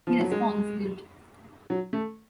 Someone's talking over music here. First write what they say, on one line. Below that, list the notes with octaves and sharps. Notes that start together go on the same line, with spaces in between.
He responds Didn't.
F3
F#3
G#3
F#3
A3